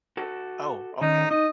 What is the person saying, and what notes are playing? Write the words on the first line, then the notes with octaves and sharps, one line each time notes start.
Oh, okay.
F#4 A4
D#3 C#4 D#4
D#4 D#5